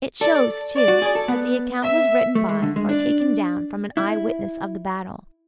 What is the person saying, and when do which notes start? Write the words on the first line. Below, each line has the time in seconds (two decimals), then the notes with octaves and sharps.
It shows, too, that the account was written by or taken down from an eye-witness of the battle.
0.21 A4 D5
0.75 D5
0.88 F#4
1.02 G#4
1.15 A4
1.28 B3
1.82 E5
2.35 A3
2.49 G#3
2.63 D3
2.76 G#3
2.89 D4 D5
3.97 E4